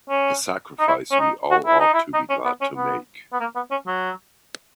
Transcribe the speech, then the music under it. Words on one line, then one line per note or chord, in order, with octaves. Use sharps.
It's a sacrifice we all ought to be glad to make.
C#4
D#4
E4
C#4
D#4
F#4
E4
D#4
E4
D#4
C#4
B3
C#4
B3
B3
A#3
B3
C#4
F#3